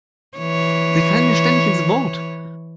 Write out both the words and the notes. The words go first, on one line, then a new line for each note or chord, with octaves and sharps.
Sie fallen mir ständig ins Wort.
E3 C#5